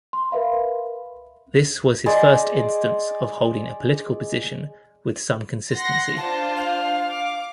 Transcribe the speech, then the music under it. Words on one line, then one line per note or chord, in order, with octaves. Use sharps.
This was his first instance of holding a political position with some consistency.
C6
A#4 B4 E5 F5 B5
G#4 C5 D5 D#5
F#5 C6 A#6
D4 F4 C5 A5
F5
D6